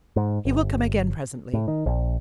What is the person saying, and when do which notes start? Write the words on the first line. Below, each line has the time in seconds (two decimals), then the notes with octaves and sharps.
He will come again presently.
0.16 G#2
0.45 G1
1.53 A2
1.68 D#3
1.86 A#1